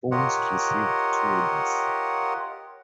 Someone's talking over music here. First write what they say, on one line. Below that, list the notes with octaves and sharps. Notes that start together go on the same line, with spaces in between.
Fons received two wethers.
F4 G4 A#4 C#5 D#5 F#5